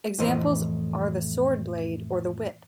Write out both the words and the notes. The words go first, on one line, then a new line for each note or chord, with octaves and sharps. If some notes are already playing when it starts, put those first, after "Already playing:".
Examples are the swordblade or the whip.
F2 A2 E3 C5 D#5 C6